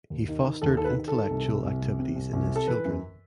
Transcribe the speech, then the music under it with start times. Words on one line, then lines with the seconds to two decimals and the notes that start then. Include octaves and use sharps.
He fostered intellectual activities in his children.
0.10 D#2
0.28 D#3
0.45 D#3
0.62 D#2 A4
0.77 D#3 A4
0.84 B4
0.96 D#3
1.08 A4
1.13 D#3
1.30 C2
1.48 C2
1.65 C2
1.82 C2
1.99 C3
2.16 C2
2.33 C2
2.50 C3
2.56 A4
2.67 E3 B4
2.85 F#2